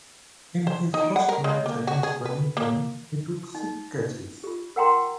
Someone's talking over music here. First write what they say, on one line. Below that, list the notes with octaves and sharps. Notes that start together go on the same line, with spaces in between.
In his first match against Wellington he took six catches.
C5
D#4
F#5
A#4
G#3
A#3
F#4
G#4
B4
A#3
D#4
F4 G4
A#4 F#5 G5 A#5 C6